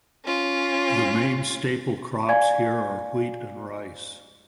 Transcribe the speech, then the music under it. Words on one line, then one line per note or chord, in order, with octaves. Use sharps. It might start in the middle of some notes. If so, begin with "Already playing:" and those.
The main staple crops here are wheat and rice.
C#4 F4
D5 F5 G#5 G#6